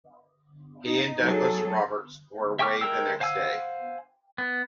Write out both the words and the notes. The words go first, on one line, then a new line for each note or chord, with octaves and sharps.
He and Douglas-Roberts were waived the next day.
D#4
F#3 G#4 A4
E5 G5 C#6 D6 F6
G#3 A#4 G5 E6
C5 F5 F#5 G#5 E6
B3